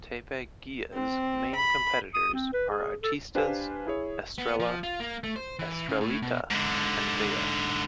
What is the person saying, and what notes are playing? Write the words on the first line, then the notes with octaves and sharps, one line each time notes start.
"Teve Guia"'s main competitors are "Artistas", "Estrella", "Estrellita", and "Vea".
C4
B5
D#6
C4
B4
G#4
A4
D4 G4 B4 C5 F5 G#5
E4 G#4 C#5
B3
F3
F4
A#3
A3
C5
E3
C#3
A2
B2
G#2 D3